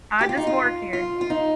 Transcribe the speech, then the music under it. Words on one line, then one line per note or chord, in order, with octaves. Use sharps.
I just work here.
G4
F4
D#4
F4
F4
F4
D#4